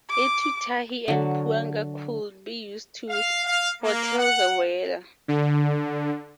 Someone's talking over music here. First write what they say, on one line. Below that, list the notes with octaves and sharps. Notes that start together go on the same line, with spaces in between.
Atutahi and Puanga could be used to foretell the weather.
D6
D3 F#3
F5
F5
A#3
F#5
D3